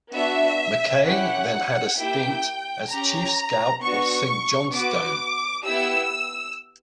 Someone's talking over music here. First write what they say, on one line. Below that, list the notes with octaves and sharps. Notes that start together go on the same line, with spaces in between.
Mackay then had a stint as chief scout of Saint Johnstone.
B3 D4 F#4 E5
C#4 E4 G4 F#5
A#3 E4 G4 G5
C#4 G4 A#5
B3 D4 F#4 C#6
B3 F#4 D6
B3 E4 G4 E6